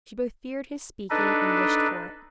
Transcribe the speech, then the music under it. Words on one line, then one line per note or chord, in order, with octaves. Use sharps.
She both feared his speaking and wished for it.
D4 D#4 A4 B4 D#5